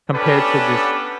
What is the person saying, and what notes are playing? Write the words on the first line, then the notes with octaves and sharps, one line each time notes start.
compared to just
B3 C#4 D4 G4 A4 B4